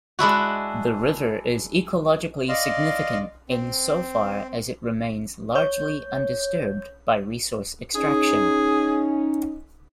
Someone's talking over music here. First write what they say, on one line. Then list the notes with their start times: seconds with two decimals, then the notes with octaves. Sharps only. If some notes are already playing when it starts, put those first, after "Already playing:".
The river is ecologically significant insofar as it remains largely undisturbed by resource extraction.
0.19 G#3 D4 E4 F#4
2.49 D5 D#5 F5 C6
3.49 C4
5.55 C#5 G6
7.95 C#4 D#4 G#4